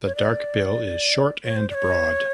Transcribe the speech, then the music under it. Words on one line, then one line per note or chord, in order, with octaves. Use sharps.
The dark bill is short and broad.
C#5
D5
C#5
C5
D5
C#5